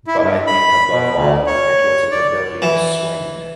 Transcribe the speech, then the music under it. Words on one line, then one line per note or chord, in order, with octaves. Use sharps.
But I think above all it was his ability to swing.
E4
G2
B5
B2
D2
C#5
D5
E3